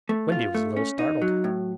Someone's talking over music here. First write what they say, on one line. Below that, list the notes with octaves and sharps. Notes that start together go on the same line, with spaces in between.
Wendy was a little startled.
A3
F4
A3
C#4
D#4
F#3
A2